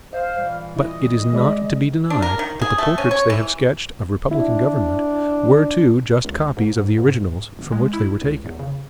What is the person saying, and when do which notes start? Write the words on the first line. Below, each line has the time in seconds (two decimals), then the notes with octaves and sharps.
But it is not to be denied that the portraits they have sketched of republican government were too just copies of the originals from which they were taken.
0.13 C5 D#5 F5
0.37 A#2 E3 G3
0.76 E4 D#5
1.33 G#3 D5 B5
2.10 D4
2.22 A#4
2.39 D#3
2.62 G#4
2.78 A3
2.98 C#4
3.11 C#5
3.30 E3
4.31 D4 E4
6.25 C#2
6.57 G#2
6.77 G#2
6.98 G#2
7.59 G1
7.72 G#3
7.93 E4
8.21 C#2
8.46 E2
8.59 C#3